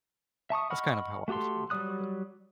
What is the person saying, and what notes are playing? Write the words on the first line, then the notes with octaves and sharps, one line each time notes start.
that's kind of how I I feel about it.
E5 A5 C#6 D#6
D#5 F#5 B5 C#6 F6
A3 F#4 G4 A4 C6
F#3 G3 D5 D#6 F#6